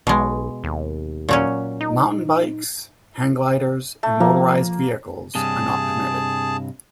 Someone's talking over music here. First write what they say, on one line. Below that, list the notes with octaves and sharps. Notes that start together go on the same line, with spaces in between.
Mountain bikes, hang gliders, and motorized vehicles are not permitted.
B1 B2 G#3
D#2
A#2 F#3 C#4
D#4
A3
F3 A#3
G2 C3 G#4 A5